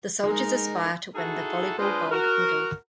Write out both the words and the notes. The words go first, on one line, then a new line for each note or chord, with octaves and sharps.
The soldiers aspire to win the volleyball gold medal.
G#3 D#4 A#4
D#4 E4 F#4 G#4 A4
G#3 D4 F4 B4 C5 D#5
F#4 A#4